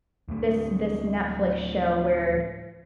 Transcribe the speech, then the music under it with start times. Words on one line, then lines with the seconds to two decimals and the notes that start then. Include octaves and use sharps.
this this Netflix show where
0.28 D1 D2 A3